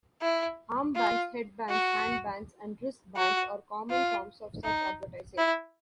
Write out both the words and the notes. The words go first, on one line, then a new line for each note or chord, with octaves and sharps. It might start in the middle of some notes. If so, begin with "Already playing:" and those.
Armbands, headbands, handbands and wristbands are common forms of such advertising.
E4
F4
F#4
F#4
F4
D#4
E4